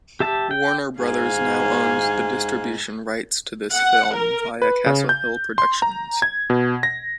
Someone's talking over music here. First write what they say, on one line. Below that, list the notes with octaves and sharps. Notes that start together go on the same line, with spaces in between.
Warner Brothers now owns the distribution rights to this film via Castle Hill Productions.
G4 E5 A5
G5
G#2 F5 G#5
F#5
A#4
B4
C#3
G6
C6
A#5
G#6
B2
A#6